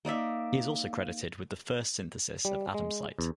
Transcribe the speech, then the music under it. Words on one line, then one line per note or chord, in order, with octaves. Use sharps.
He is also credited with the first synthesis of Adamsite.
A#3 D#4 D5 E5
G3
G#3
E2